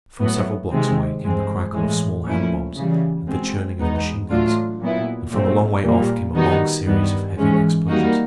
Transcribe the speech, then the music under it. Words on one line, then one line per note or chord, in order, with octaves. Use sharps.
From several blocks away came the crackle of small hand-bombs and the churning of machine-guns, and from a long way off came a long series of heavy explosions.
A2 F#3 B3
C3 D#3 G#3 C4
G2 E3 G#3 C4
A2 E3 G#3
A#2 F3 A3 C#4 E4
C#3 E3 G3
B2 G#3 C4
E2 B2 G#3 B3 D#4
A2 F#3 A3 D4 F4
A#2 F#3 B3 E4
A#2 F#3 A3 C4
A#2 G3 A#3
D#3 G3 B3 D#4 F#4
G2 D#3 G3 B3
G#2 E3 G#3 C#4
D#3 G3 A#3 D#4 F#4